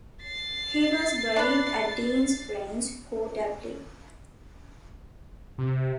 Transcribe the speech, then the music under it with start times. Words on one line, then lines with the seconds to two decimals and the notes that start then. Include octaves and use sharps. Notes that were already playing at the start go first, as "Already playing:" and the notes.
He was buried at Dean's Grange, co. Dublin.
0.23 A6 C7
1.36 D4 B4
5.58 C3